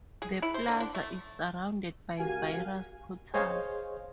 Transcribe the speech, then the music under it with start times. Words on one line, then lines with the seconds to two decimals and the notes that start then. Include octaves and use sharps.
The plaza is surrounded by various portals.
0.22 G#4
0.42 E4
0.54 C5
0.68 D3
0.80 D4
0.95 A3
2.19 C#2 F#4 G4 A#4 F5 G#5
3.34 G#4 C5 C#5 D#5 F5